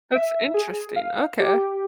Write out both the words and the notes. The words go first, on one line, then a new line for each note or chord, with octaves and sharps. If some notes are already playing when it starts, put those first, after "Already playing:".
That's interesting, okay.
E5
G#4
F5
G4